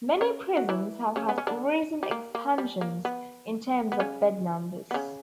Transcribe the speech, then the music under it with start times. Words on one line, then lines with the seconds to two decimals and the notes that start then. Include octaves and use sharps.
Many prisons have had recent expansions in terms of bed numbers.
0.21 C#4 C#5
0.57 F#4
0.69 E3 E4
1.16 C#3 C#4
1.29 B3
1.38 C#4
1.47 D3 D4
2.03 G3
2.11 A#3
2.35 A#3
2.58 G3
2.81 A#3
3.05 B3
3.92 B3
4.00 C#3 C#4
4.91 B3
4.94 C#3 C#4